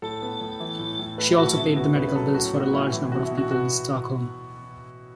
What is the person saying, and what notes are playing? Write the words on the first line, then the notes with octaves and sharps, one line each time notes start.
She also paid the medical bills for a large number of people in Stockholm.
A2 A4
B3
A2
E3
A2
A2
A3 B4
E4
A3 F#4
C#3 E4
B3 F#4
C#3 B4
B4
F#3 A4
A2 F#4
B3
F#4
A2 E4
E3
B2 F#4
E4
B2
F#4
B3 F#4